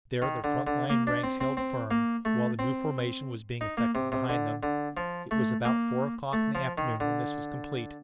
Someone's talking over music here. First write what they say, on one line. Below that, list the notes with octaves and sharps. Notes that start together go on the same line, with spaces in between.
There their front-line ranks held firm, while the new formation was being effected behind them. It was about four o'clock in the afternoon when this was complete.
D#3
D3
D3
A#3
D4
C4
C4
C4
A#3
A3
C4
D#4
A#3
C3
C3
D3
D3
F3
A3
A#3
A3
F3
D#3
D3